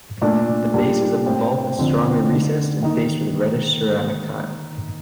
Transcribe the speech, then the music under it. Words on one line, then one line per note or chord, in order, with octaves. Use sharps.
The bases of the vault is strongly recessed and faced with reddish ceramic tile.
A#2 A3 D4
A#2 G3 D4
A2 A3 C4
F2 D3 F3 C4
D3 A3 D#4
D#3 A#3 D#4